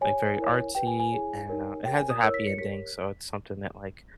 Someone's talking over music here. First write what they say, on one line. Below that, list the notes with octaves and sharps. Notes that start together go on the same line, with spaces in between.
like, very artsy and, uh, it has a happy ending, so it's something that, like,
G4 C#5 G#5
E4 A#4 C#5
G4 B4 G5
G#5
G#5
E4 G#4 C#5
D#4 G4 A#4 C#5
G4 A#4 C#5 G5
G#5
D#6
E4 A#4 C#5 E6
B6
C#7
G4 A#4 C#5 B6